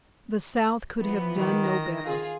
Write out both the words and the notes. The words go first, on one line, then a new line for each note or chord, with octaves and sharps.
The South could have done no better.
E3 F3 B3
D#3
A#6
F4 G#4